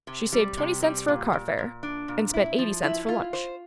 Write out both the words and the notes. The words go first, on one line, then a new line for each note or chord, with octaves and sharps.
She saved twenty cents for car fare and spent eighty cents for lunch.
C3
G3
C3
G3
A#2
A#2
A#2
D4
A#2
E4
F3
E4
F4
C5